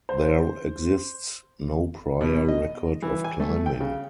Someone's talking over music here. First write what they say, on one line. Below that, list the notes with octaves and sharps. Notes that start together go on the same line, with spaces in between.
There exists no prior record of climbing.
C5
B2
D#5
E3
G#5
A3
G5
C#3